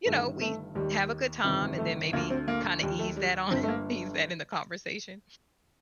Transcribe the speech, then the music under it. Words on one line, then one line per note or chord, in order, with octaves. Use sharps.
you know, we have a good time and then maybe kind of ease that on ease that in the conversation.
G1 G2 D#3 A3
A3
D#2 D#3 G3
G1 F2 C3 D#3
A3
D2 D3 A#3
C4
A#3
D#2 D#3 G3
A3
G3
G1 G2 D3 C4
A3
A#3